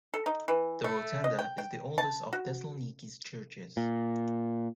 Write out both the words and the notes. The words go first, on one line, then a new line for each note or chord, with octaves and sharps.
The Rotunda is the oldest of Thessaloniki's churches.
A4
D#4
E3
A3
D#5
G5
G5
A5
F#4
A#2